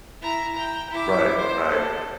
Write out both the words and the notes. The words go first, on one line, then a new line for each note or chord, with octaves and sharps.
Right, right.
E4 A#5
G5 A#5
E4 D6
C5
A4